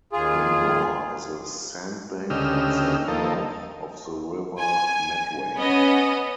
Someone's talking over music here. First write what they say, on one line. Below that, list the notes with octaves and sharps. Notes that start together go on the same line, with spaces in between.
The Nore is a sandbank at the mouth of the River Medway.
D#2 F4 G#4
D2 C#3 G4 D#5 E6 F6
D#2 F3 A#3 A4 D#5
G#5
B3 C#4 D#5